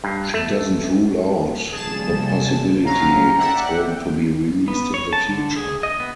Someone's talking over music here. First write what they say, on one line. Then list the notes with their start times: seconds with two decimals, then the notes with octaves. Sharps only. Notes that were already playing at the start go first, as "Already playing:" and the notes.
She doesn't rule out the possibility it's going to be released in the future.
0.04 G2
0.34 A3
1.72 C3 F3 G3 G#4 A5 E7
2.85 C2 F#3 C#4 F5 G5 A#5
3.39 D5 E5 F#5
4.68 B3
4.94 C#5
5.13 A5
5.27 D3
5.56 G#4
5.83 D#5
6.00 B3